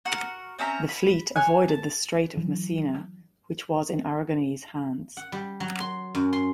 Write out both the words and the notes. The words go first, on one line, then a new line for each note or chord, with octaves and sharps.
The fleet avoided the Strait of Messina, which was in Aragonese hands.
F#4 A#4 F#5
C4 C#4 E5 A#5
B5
C#5 G#5 F#6
A5
E3 F#3
F#5
G3
F#3
C6
F#2
C6